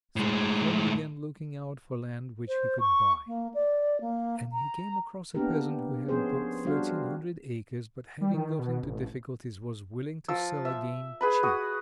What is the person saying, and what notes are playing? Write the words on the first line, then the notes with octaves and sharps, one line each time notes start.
So Pahom began looking out for land which he could buy; and he came across a peasant who had bought thirteen hundred acres, but having got into difficulties was willing to sell again cheap.
A2 G#3
C5
C#6
A#3
D5
A#3
A#5
A#3 B3 D4 G4 A#4
F3 B3 C#4 G#4 C5
G3 D4 F#4 C5 F5
G3
D#3
B2
A1
F3 E6
E5
G#4 B4 B5
F#4 D#6